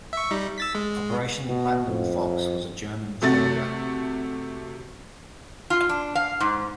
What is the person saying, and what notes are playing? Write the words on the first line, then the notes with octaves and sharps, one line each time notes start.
Operation Platinum Fox was a German failure.
E5 C#6
G3 D#4
E6 A6 B6
G#3
B2
F2
C3 A3 F#4 A6
F4
D4
F5
G#2